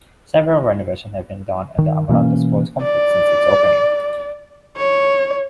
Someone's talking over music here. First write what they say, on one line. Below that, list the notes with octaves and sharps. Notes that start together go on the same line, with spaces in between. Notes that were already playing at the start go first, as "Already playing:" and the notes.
Several renovations have been done on the Amoranto Sports Complex since its opening.
D#3
B2 E3 A#3 C#4
D5
C#5